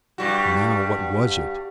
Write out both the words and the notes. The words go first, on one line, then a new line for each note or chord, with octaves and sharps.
"Now, what was it?"
G2 G3 F#4